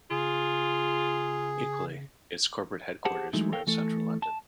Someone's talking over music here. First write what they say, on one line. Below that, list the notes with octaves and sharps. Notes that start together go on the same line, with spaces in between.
Equally, its corporate headquarters were in central London.
C#3 F4 G#4
G4 G#4 C5 F#5 A5
E3 F#3 G#3 A3 D#4 E4
A4 A#4 C#5 F5 G5
E3 A3 A4
A5